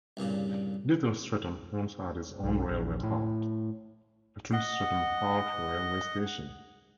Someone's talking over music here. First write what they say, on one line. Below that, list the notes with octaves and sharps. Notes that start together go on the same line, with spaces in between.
Little Stretton once had its own railway halt: Little Stretton Halt railway station.
C2 G2 A#2 C#3
B1
A#1
A2
D#5 F#5